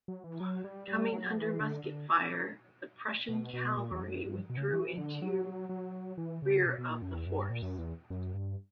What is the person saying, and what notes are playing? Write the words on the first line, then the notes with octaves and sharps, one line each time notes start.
Coming under musket fire the Prussian cavalry withdrew into rear of the force.
F#3
E3
F#3
G3
G3
F#3
E3
D3
D3
B2
B2
A#2
E2
F#2
G2
B2
C#3
E3
D3
F#3
F#3
E3
C#3
B2
B2
A#2
F#2
E2
F#2
G2
A#2
F#2
E2
F#2
G2